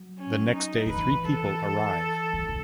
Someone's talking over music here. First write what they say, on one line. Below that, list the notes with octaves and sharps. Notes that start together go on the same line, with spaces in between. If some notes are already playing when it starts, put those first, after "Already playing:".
The next day three people arrive.
Already playing: F#3
C#4
D#4
D#3
E3 B4
A4
E3
C#3